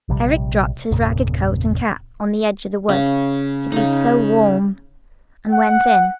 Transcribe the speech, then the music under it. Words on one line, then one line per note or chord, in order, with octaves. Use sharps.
Eric dropped his ragged coat and cap on the edge of the wood,--it was so warm,--and went in.
A#1 C3 F3 G3
G1 E2 A#2 C#3
C#3
C#3 D#4
F#5